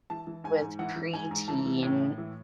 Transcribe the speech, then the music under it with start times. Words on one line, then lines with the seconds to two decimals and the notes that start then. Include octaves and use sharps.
with preteen
0.10 E3 A5
0.27 E3
0.44 G#2 G#5
0.62 G#2
0.79 E3 F#5
0.96 E3
1.13 G#2 G#5
1.31 G#2
1.48 E3 A5
1.66 E3
1.83 A2
2.00 A2
2.18 E3